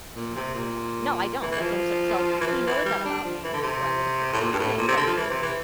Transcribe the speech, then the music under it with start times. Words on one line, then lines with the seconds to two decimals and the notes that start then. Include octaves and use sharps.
No, I don't. No, I don't, that's what I'm so so he knows that about me, so I would ho think that he
0.16 A#2
0.35 C3
0.54 A#2
1.41 E3
1.51 E3
1.61 F3
2.40 E3
2.47 F3
2.67 E3
2.85 G3
3.05 D4
3.24 F3
3.44 E3
3.53 D3
3.62 C3
4.33 A2
4.40 A#2
4.52 G2
4.59 A2
4.78 A#2
4.88 C3
4.97 D3
5.06 F3
5.17 E3
5.30 C3
5.42 E3